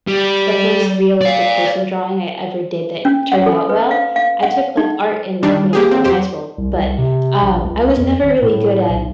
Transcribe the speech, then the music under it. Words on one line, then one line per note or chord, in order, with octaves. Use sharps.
the first realistic person drawing I ever did that turned out well. I took, like, art in, like, middle school and high school, but, um, I was never really good at
G3
D5 F5
C#4
F#5
A4
B4
F5
F5
F#5
D#4
D#3 G3 D4
A#3 G4 G#4
C4
F2 G4 C5
C2
C2
C3
A#1
C#2
F2
G#1
A2
B1